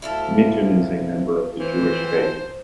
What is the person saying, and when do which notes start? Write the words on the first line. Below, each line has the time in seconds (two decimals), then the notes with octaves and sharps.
Migden is a member of the Jewish faith.
0.02 D2 E4 F4 A4
1.59 E3 C5